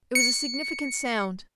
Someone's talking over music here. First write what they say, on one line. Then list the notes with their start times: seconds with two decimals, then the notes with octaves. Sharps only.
It was a significant sound.
0.15 C#7